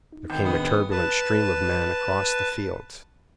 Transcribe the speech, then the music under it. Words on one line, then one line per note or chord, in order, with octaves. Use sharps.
There came a turbulent stream of men across the fields.
D#4
G#1 A#4 F#5 G5 G6
A2 B3 D4 G#4 D#6
B4 A5